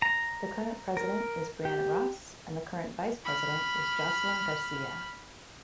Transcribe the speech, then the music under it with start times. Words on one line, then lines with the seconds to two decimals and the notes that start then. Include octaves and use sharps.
The current President is Breana Ross, and the current Vice President is Joseline Garcia.
0.02 A#5
0.97 A#4
1.65 G4
3.25 B5 F6